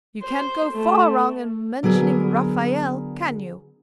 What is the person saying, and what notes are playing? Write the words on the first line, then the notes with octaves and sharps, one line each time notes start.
'You can't go far wrong in mentioning Raphael, can you?
C5
A3
D3 F#3 B3 G#4 A#4